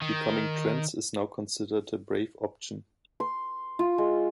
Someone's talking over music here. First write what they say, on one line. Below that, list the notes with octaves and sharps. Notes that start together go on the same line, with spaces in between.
Becoming trans is now considered the brave option.
D#3
C6
F4
G#3